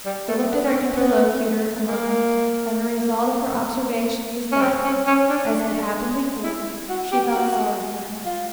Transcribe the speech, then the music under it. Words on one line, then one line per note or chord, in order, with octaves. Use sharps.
She looked at her interlocutor a moment, and the result of her observation was that--as had happened before--she felt sorry for him.
G3
A3
B3
C#4
C4
B3
A#3
C#4
C4
C#4
C#4
D4
D4
E4
F#4
G4
F#4
F4